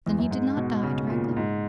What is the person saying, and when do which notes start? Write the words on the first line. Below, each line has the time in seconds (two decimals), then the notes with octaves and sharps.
'Then he did not die directly?'
0.07 E2
0.19 F#2
0.31 G#2
0.57 B2
0.83 C#3
1.09 A#2
1.37 G#2